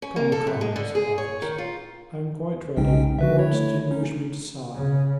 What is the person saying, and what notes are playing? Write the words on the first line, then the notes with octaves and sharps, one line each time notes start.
"Come, come," said Athos, "I am quite ready; what do you wish me to sign?"
C#4
A#3
A4
F#2
G#3
D3
G#4
C#5
D#3
F4
B1 C#3 G#3 C#4 D#4 G5
D3 F3 F#4 B4 E5
E4 C#5
A3
C#4 D#4
C#3